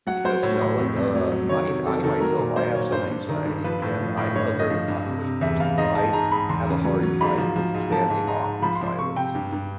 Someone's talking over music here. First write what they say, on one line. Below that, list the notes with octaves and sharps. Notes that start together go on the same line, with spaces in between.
Because, you know, like, uh, mys I myself, I have some anxiety, and I'm a very talkative person. So, I have a hard time withstanding awkward silence.
F#3 F#5
F#3 C5
A2 C#5
A2
F2
F2
F#3
F#3
D#3 C#5
C3
F2 A4
D#3 A4
F#3 A#4
A#2
F#3 C5
A#2 C#5
G2 C5
G2
D#3
G2
F3 B4
A2
F3
A2
G2 C#5
D3
D#5
F3
G2
C3
C3
E2 E5
E2 F5
G#2 D#5
G#2 A5
G#2 A#5
G#2 B5
E2 C6
C#3
F#3
F#3
G#2 B5
F3
F3
G#2
F3 A5
G#2
G#2 A#5
G#2
F3 B5
C6
F3
C6
C3 C#6
C3 G5
G2
G2